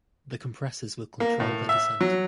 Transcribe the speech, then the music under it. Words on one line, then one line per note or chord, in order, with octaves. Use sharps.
The compressors will control their descent.
A#3
A2
E5
F#3